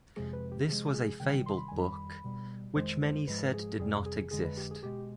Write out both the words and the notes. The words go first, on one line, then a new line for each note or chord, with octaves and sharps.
This was a fabled book, which many said did not exist.
F2 C3 F3 G#3 G#4
B4
G4
C3 F3 G#3 G#4
G#4
C3 D#3 G3 G5
C6
B5
F2 D#3 G3 G#5
B5
B2 G3
F2 D#3 G#3 C5
C5
G#2 F3 G#3 B4
G#4
F2 C3 G3 G#4
G#4
F2 D3 G#3 G#4
B4
G4
G#4
B2 G#3 G4